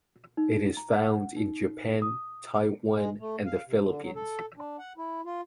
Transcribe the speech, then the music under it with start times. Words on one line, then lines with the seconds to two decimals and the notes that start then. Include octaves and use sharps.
It is found in Japan, Taiwan and the Philippines.
0.37 D#4
0.77 A#5
0.94 F#5
1.36 D#4
2.02 D#6
2.93 G#3
3.19 A3
3.46 F5
3.67 C3
3.87 D3
4.01 F#3
4.16 A4
4.57 D4
4.78 F#5
4.97 E4
5.25 F4